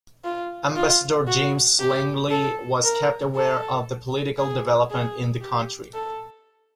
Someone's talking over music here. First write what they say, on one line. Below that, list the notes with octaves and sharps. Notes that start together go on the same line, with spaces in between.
Ambassador James Langley was kept aware of the political development in the country.
F4
F4
F#4
G4
A4
A#4
A4
G#4
G#4
G4
A4